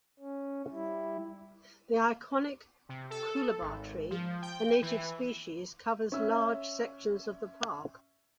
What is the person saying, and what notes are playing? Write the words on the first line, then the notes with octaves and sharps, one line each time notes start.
The iconic coolabah tree, a native species, covers large sections of the park.
C#4
G3 E4
C3
A4
G#1
F3
G5
E3
C#4 E5 E6